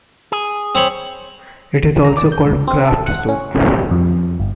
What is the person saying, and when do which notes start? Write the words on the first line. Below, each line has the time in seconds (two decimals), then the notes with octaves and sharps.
It is also called Kraft soap.
0.32 G#4
0.75 C4 C#5 B5
2.05 A#5
2.17 D5
2.32 G6
2.46 C#2
2.68 C4
2.88 A4
3.06 F#5
3.28 C#4
3.55 C#3
3.70 G3
3.91 F2
4.40 G1